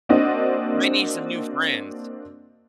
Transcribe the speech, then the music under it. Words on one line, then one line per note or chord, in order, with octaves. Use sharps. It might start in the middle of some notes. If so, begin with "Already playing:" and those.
Might need some new friends.
A#3 C4 D4 F#4 D#5